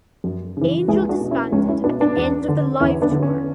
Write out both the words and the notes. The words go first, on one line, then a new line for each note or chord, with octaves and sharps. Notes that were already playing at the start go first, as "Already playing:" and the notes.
Angelfish disbanded at the end of the Live tour.
F#2
C#3 E3
C#2 E4 G#4
D4 F#4
B2
C#4 E4
C#2 C#4
C#4 E4
B2 B3 D4
B3 D4
E2
D3
E2 C#4 E4
B3 D4
D3
C#4